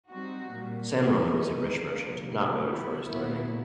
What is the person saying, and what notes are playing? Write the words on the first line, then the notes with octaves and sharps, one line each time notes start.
San Roman was a rich merchant not noted for his learning.
G3 C4 D#4 F#4
A#2 G3 A#3
E3 A3 C4 D#4 F#4
E3 G#3 B3 D#4
D3 F3 A#3
C3 D#3 G3
G3 B3 E4
A#2 F#3 B3 E4